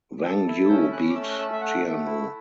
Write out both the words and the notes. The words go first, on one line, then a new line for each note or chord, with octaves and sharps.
Wang Yue beat Jianu.
A4
E4
C#4 G6
C#4 F#6
D6
A3 E6
F#6
A3 E6
E5
A3 F#5
A3
E4